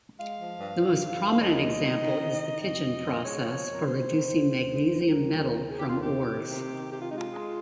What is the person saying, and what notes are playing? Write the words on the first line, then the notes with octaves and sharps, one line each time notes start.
The most prominent example is the Pidgeon process for reducing magnesium metal from ores.
G#3 F5
F3
G2
G2
G2
F3
F5
D#2 D#5
G3
D#3
D#3
D#3
D#3
F2 D#5
F2
F2
G#3 C#5
F3
F2
A#4
G#3 C5
D#3
D#2
D#2
G#3
D#2
C5
G3 A#4
D#2
D#3
D#2 G#4
G4
D#2 F4
G4
D#3
D#3
C3
D#3
C3 G4
F4
G#3 D#4
F4
G#3